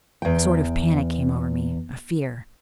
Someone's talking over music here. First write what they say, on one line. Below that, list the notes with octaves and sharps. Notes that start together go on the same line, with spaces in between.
A sort of panic came over me, a fear.
E2 G5